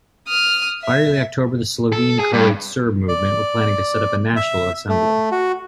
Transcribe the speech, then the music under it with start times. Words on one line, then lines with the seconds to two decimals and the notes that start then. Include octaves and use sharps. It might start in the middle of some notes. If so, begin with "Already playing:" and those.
By early October, the Slovene-Croat-Serb movement were planning to set up a National Assembly.
0.28 D#6 F6
0.82 E5
1.93 A4
2.19 G#4
2.33 G2
3.08 D5
4.36 E5
4.89 A3
5.32 F#4